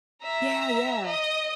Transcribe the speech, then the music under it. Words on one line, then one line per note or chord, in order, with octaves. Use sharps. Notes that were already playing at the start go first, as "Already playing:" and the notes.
Yeah, yeah.
E5 A#5
D#5